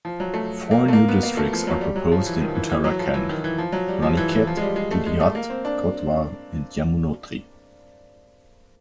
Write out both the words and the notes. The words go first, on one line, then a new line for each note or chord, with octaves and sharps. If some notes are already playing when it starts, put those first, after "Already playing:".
Four new districts are proposed in Uttarakhand: Ranikhet, Didihat, Kotdwar and Yamunotri.
F3
F#3
A3
A#3
A3
A#3
B3
A#3
A3
F3
F#3
G3
F#3
F3
E3
D#3
F3
E3
E3
F#3
F3
E3
D#3
E3
F3
F#3
G3
F3
E3
E3
F3
G#3
G3
G#3
A3
G#3
A3
A#3
C4
D4